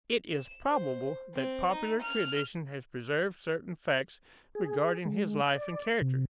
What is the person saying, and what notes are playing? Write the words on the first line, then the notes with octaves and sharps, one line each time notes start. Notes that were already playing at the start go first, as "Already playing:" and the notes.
It is probable that popular tradition has preserved certain facts regarding his life and character.
E7
C5
C4
D#4
F6
G#4
G#3
D5
C3